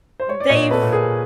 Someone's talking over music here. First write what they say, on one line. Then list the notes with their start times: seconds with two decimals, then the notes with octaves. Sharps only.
mm, they've
0.20 C5
0.29 C#5
0.40 D5
0.50 A#2 C#5 D#5
0.71 A4 B4
0.82 A#2
0.92 G#4 A#4